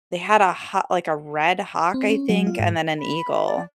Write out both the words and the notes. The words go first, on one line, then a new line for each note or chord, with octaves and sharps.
they had a ha like, a red hawk, I think, and then an eagle,
C4
C#4
F#3
F4
G#2
B5
D5